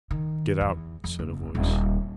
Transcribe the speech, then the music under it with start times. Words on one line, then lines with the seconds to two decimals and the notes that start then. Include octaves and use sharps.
"Get out," said a voice.
0.11 D#3
0.61 E2
1.04 F2
1.19 F#1
1.55 D#1